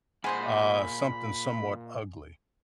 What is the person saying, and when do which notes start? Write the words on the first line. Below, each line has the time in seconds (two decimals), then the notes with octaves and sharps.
uh, something somewhat ugly.
0.24 A#2 G#4 C5 D#5 F#5 G#5 B5